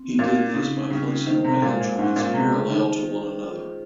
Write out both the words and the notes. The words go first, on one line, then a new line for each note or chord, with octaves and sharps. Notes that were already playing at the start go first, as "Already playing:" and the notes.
He did this by placing rail joints parallel to one another.
Already playing: C4
A#2 D#4
C#3 D#4
C#3 G3
D#3 C5
C3
A#2 G#3
A#2
G#2 C#4
A#2
C3 G#4
C#3
D#3 C5
C5
F4